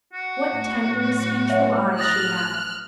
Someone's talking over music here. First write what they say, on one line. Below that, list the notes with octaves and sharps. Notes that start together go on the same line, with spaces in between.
What tender, speechful eyes she had!
F#4
A2 F#3
C#5 E5 F#5
D#6 F6 F#6 A6 A#6